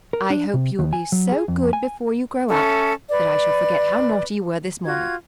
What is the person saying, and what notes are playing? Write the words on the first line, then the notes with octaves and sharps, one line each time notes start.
"I hope you will be so good before you grow up that I shall forget how naughty you were this morning."
A#4
D4
C3
D#2
G#5
F#3
G#4
F2
G#5
C#4 A4 E5
B4 D5
F4 F#4 G#6